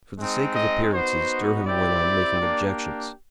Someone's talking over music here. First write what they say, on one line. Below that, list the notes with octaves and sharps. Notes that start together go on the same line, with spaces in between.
For the sake of appearances Durham went on making objections.
G#3 C4 D#4
D#5
B3 D#4 F#4 C5
C4 E4 G4 D5
A#3 D4 G4